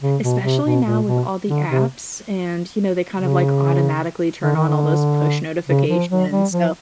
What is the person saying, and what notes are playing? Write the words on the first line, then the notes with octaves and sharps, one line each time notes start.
Especially now with all the apps and, you know, they kind of like automatically turn on all those push notifications, so
C#3
B2
C3
B2
A#2
B2
D3
C3
C#3
D3
D#3
D3
C#3
F3
F#3
G3
F3